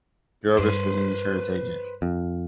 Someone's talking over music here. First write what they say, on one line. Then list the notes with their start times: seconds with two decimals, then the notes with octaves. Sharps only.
Jarvis was an insurance agent.
0.59 G2 B4 C5
2.02 F2